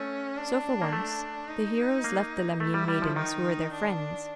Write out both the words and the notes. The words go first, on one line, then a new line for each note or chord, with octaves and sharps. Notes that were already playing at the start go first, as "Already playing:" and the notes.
So, for once, the heroes left the Lemnian maidens who were their friends.
Already playing: A3 C#4
D4
A#3
A3
D#4
A#3
A3 E4
G3
G3
F3
D#3 D#4
D4